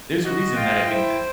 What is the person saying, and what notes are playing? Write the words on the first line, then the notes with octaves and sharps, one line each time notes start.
There's a reason that I think this.
F#4 D#5
F4 G5
E4 C5